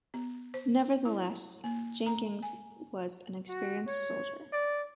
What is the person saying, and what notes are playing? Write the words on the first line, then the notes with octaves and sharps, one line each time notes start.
Nevertheless, Jenkins was an experienced soldier.
B3
C5
E4
A#3
A#5
G#5
F#4
C#5
D5